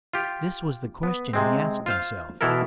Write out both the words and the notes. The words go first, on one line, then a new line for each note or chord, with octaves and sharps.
This was the question he asked himself.
F4 G4
B3
C3 G#3 C4
F4 C5 F5
B2 E3 E4 A4 A#4